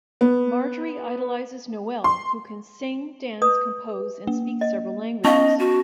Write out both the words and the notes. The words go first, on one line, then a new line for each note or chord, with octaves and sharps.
Marjorie idolizes Noel, who can sing, dance, compose, and speak several languages.
B3
C6
B4 D#6
A#3
D#5
B3 C#4 D#5 F5 A5 C#6
F#4